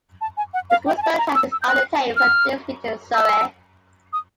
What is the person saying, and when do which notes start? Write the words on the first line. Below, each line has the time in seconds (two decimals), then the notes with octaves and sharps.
The school's boathouse is on the Thames at Thames Ditton, Surrey.
0.21 A5
0.37 G#5
0.54 F#5
0.70 F5
0.86 G5
0.97 G#5
1.02 A5
1.18 A#5
1.35 E6
1.52 E6
1.62 G6
1.68 F#6
2.17 F6
3.14 E6
4.13 D#6